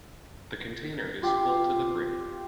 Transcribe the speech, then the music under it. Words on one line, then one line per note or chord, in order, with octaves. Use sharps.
The container is full to the brim.
F4 G4